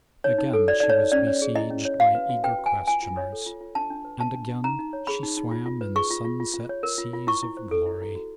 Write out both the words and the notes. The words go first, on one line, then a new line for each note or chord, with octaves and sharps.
Again she was besieged by eager questioners, and again she swam in sunset seas of glory.
D#4 C#5
D#4
A4
F#4 D5
D#4 D5
C#5
D#4
C#4 D5
C#5
G#4
E4 D#5
C#4
C#5
F#4 F5
B4
F#4
B4 G5
F#4
G#5
B4
F4 G#5
F4
C#5
A4
F4
F4
D4 A5
D4
B4
F#4 A5
D4
D4
D#4 A#5
D#4
C#5
G#4 B5
D#4
D#4
F4
F4
B4
G#4 C#6
F4
F4
F4
F4
C#5
A#4
F4
F4
E4 C#6
E4
C5
A4
E4
E4
F#4